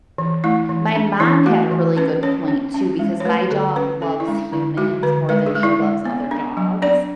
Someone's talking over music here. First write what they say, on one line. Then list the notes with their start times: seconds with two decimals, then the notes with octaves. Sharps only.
My mom had a really good point too because my dog loves humans more than she loves other dogs,
0.18 E3
0.44 A3 E4
0.69 E3
0.96 D4
1.20 E3 E4
1.46 A3 F#4
1.71 E3
1.97 C#4 B4
2.23 C#4 C#5
2.48 C#4
2.74 C#4
2.99 G#3
3.20 C#5
3.25 A3 B4
3.50 D3 A4
3.76 C#4 B4
4.01 C#4 A4
4.20 E4
4.28 G#3 D4
4.52 D3 E4
4.78 G#3 F#4
5.03 D3 B4
5.29 G#3 B4
5.46 G#4
5.55 G#3
5.63 E4
5.80 G#3
6.05 B3
6.31 D4
6.57 F#3
6.82 D4 D5